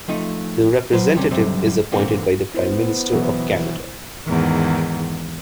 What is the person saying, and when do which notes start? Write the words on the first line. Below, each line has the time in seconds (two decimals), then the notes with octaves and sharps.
The representative is appointed by the Prime Minister of Canada.
0.08 F3 A3 D#4
0.92 F#3 B4 C5
1.15 D#2 C3 G3 C#4
1.31 C#2 F#2 D3 G3 C4
1.92 A#2 D3 E3 A#3 C4
2.54 B3 E4 C5
3.13 B2 E3 F#3
4.26 E2 G#2 D#3